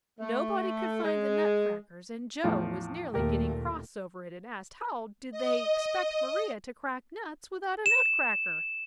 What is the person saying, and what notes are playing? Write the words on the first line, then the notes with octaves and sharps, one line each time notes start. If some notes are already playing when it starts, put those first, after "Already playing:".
Nobody could find the nutcrackers and Joe was nearly getting cross over it and asked how did they expect Maria to crack nuts without a nutcracker.
A3
G#3
E2 A2 F3
D#2 A#2 A3 G4 A#4
D#5
E7